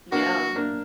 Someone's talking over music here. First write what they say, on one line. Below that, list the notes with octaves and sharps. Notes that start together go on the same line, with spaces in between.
Mm yeah.
A#3 D4 F#4
A#3 D4